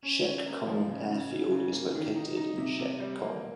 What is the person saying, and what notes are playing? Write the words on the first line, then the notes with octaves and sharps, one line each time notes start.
Shek Kong Airfield is located in Shek Kong.
C#4
C#4
A#3
F3
C#3
C#3
C#3
C#3
A#3
D#3
D#4
D#4
C3
C3
G3
A#3